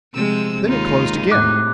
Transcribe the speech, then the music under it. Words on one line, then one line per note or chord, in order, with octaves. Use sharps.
Then it closed again.
C3 F3 G#3 E6
D#2 G#3 D#4 F4
A2 C3 D6 F#6